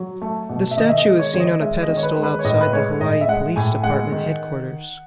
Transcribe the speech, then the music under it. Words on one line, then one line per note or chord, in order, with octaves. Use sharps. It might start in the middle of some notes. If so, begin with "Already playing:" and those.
The statue is seen on a pedestal outside the Hawaii Police Department Headquarters.
Already playing: F#3
A3
B2
E5
D#3 D#5
E5
D#5
G#3
C#5
D#3 C#5
D#5
G#3 E5
D#5
D#3
C#5
B4
G#3
B4
C#5
A2 D#5
B4
G#3 C#5
A2 D#5
E5
G#3 F#5
A2 G#5
G#3 F#5
D#3